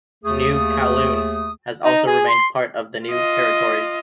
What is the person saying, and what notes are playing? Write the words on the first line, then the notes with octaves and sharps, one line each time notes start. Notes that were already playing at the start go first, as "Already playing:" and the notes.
"New Kowloon" has also remained part of the New Territories.
D#2 A3 G#4 D#6
D#4
G#4
C6
F4 D#5